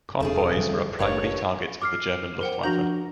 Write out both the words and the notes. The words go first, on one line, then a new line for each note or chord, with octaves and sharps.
Convoys were a primary target of the German Luftwaffe.
E1 A3 C4 D4 F4 G#4
D3 F3 G3
F#1 D#2 D4 B4 C#5 F#5
D6 F6 C7
A#4 C5 F#5 G5
F3 D4 F#4 A#5 G6 F#7